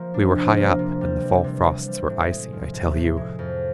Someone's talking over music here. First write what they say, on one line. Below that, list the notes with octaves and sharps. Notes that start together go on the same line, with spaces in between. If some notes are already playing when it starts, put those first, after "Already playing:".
We were high up and the fall frosts were icy, I tell you!
Already playing: F3 A#3
D4
C3
A#3
C3
G3
E3
C3
C3
G3
A2
G#3
F3
A2
A2
G#3
F2